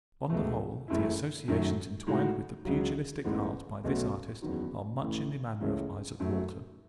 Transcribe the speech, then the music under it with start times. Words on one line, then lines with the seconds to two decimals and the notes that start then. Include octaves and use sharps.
On the whole, the associations entwined with the pugilistic art by this artist are much in the manner of Izaak Walton.
0.30 C#2 B2 A3
0.88 F#1 F#2 E3 A3 E4
1.48 F#2 D#3 F#3 A3
2.07 A2 G#3 D#4 F#4
2.65 C#2 C#3 F#3
3.25 A1 G#2 E3 B3
3.84 B1 B2 A3 C#4 F#4
4.42 F#1 E2 D#3 F#3
5.01 A1 A2 E3
5.60 C#2 C#3 E3 A3 C#4
6.20 F#2 D#3 F#3 A3